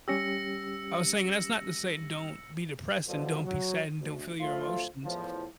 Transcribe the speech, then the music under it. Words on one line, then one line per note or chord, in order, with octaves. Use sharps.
I was saying, and that's not to say don't be depressed, and don't be sad, and don't feel your emotions.
G3 C#4 G4 E6 A#6 C#7
G2 B2 D3 E3 F3
F#3
D2
D2 F3 A3 F4
E2 A2 F3